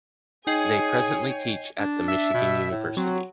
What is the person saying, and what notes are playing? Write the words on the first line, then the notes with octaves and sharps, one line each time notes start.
They presently teach at the Michigan University.
D#4 G#4 C#5 D#5 G5 G#5 G6 C7
D4
E5
B2
A2
F#3 C4